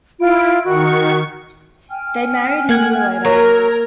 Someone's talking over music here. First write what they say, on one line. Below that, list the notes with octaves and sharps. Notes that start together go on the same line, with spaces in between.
They married a year later.
E4 F4 D7
D#3 F#4 C#6
G5 G#5 F6
A#3 F#5 G#6
F#3 A#4